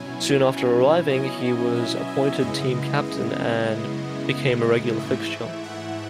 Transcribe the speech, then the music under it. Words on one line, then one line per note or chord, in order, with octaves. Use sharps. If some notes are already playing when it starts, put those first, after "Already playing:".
Soon after arriving, he was appointed team captain, and became a regular fixture.
Already playing: B2 F#3 C#4 E4 G#5
D#5
E5
E5
F#2 C#3 G#3 B3 E4 D#5
D#5
G#2 E3 A3 E4 E5
F#5